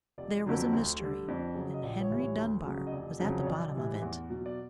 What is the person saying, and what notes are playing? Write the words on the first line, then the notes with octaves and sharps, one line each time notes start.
There was a mystery, and Henry Dunbar was at the bottom of it.
F1 D5
F2 D3 F#3
D2
D3 G3
F2 D5
C#3 F#3
D#5
A#1 D5
C#5
A2 E3 G3
C#5
D2
C#3 F#3
D#5
F1 D5
F2 C#3 F#3
C#5
B1 D5
A2 E3 G3
E2
B2 F#3
D5